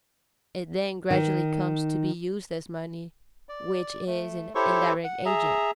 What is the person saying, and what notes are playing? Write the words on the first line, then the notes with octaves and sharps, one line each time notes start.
It then gradually comes to be used as money, which is an indirect agent.
D#3
D5
A3
E4 G4 A4 C5 C#5 C#6
F#5
G#4 E5 A#5